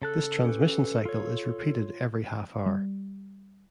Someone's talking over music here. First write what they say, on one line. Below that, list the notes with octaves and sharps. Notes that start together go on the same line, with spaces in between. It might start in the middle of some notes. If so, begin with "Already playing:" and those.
This transmission cycle is repeated every half-hour.
C#3 A4 A5 F#6
C#4 G4 B4
F4 C#5
G3